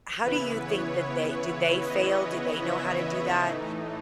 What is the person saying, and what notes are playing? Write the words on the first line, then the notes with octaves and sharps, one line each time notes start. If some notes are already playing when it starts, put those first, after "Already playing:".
how do you think that they do they fail? Do they know how to do that?
C#3 E3 B3 E4 B4
C#5
C#5
D#5
E5
A2 E3 A3 D#4